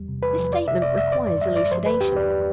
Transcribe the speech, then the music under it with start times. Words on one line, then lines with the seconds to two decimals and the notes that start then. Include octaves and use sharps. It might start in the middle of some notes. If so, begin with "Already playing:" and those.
This statement requires elucidation.
Already playing: E2 G3
0.08 C3
0.23 E2 B4
0.38 F3
0.52 F2 D5
0.67 C3 E5
0.82 C3 D5
0.97 F2 E5
1.11 D3 D5
1.27 G2 D5
1.41 G3 E5
1.56 G2 D5
1.71 F3 C5
1.86 D3 B4
2.01 E2 G4
2.16 E2 D5